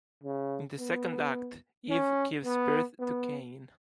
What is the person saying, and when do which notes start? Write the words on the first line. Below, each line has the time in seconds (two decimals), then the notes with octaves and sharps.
In the second act, Eve gives birth to Cain.
0.24 C#3
0.79 B3
1.89 C#4
2.45 B3
2.99 B3